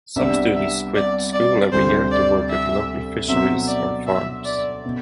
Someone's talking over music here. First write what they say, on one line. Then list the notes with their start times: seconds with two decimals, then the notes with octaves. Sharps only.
Some students quit school every year to work at the local fisheries and farms.
0.16 C2 C3 G3 B3 D4 E5
0.56 E5
0.95 D5
1.33 D5
1.72 D2 C3 G3 C4 C5
2.11 D5
2.50 E5
3.28 B2 F#3 C4 E5
3.68 D5
4.06 E5
4.45 D5
4.86 B2